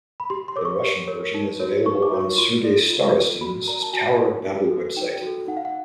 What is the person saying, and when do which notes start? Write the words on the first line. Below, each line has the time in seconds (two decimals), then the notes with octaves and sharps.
The Russian version is available on Sergei Starostin's "Tower of Babel" web site.
0.20 B5
0.30 G4 C6
0.48 C6
0.56 A#4 C#5 D6
0.65 C#6
0.82 G4
1.08 A#4 C#5
1.34 D#4
1.60 F#4 A#4 C#5
1.86 D#4 C#6
2.03 D6
2.11 F#4 A#4 C#5
2.21 C#6
2.38 F4 C6
2.63 A4 D5
2.90 F4
3.15 A4 D5
3.41 F#4 B5
3.67 A#4 D5 A#5
3.82 A5
3.93 F#4 G#5
4.19 A#4 D5
4.45 D#4
4.71 F#4 A4
4.97 D#4 G5
5.22 F#4 A4
5.48 D#4 F#5
5.57 F5
5.65 F#5